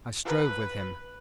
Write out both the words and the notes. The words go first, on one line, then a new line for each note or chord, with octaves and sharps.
I strove with him.
B4